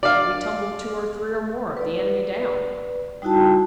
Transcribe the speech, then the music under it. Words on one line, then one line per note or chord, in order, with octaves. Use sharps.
We tumbled two or three, or more, of the enemy down.
D5 F5
B4 D5
G3 D#4 E4 F#4 G5 A5